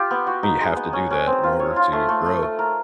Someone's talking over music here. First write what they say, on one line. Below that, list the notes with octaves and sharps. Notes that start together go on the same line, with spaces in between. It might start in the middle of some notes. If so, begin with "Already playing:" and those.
and you have to do that in order to grow.
Already playing: F4 G4
B3
F#4
D#4
G#3
B3
C#4
C#4
C4
F4
C#5
F4
A3
A3
A3
A3
A#4